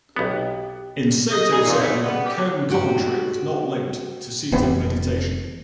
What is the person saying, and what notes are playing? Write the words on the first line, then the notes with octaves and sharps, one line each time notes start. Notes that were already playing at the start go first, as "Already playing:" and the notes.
In Soto-Zen, koan commentary was not linked to seated meditation.
B1 B3 G4
D#5
G3 D#4 G#4
F2 A#2
B2 D3 A3
C#3 G3 B3
G4
F#4 G4 F#5
F1 E3 B3 C4